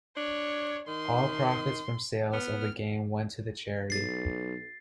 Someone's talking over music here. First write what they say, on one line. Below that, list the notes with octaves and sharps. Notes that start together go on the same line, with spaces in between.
All profits from sales of the game went to the charity.
D4 C#5
D#3 C6
B3 F6
B1 A6 C7